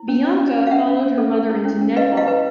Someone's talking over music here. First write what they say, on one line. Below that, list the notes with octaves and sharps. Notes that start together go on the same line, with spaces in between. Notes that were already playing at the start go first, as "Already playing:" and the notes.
Bianca followed her mother into netball.
Already playing: E4
C#4
C#4
C#4
C#4
F5
C#4 E5 F#5
C#4
C#4
A4
A4
E4
C#4
C#4
B4 D#5 F5
E4
D#5 F5
B4